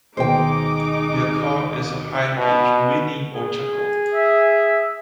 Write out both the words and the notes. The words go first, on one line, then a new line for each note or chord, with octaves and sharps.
Their call is a high-pitched whinny or chuckle.
D2 B2 D#3 G#3 D#4 C5 G5 D6
B2
G#4
E5